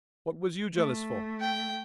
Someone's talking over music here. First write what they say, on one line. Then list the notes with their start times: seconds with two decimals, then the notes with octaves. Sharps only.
What was you jealous for?
0.74 A3
1.40 G5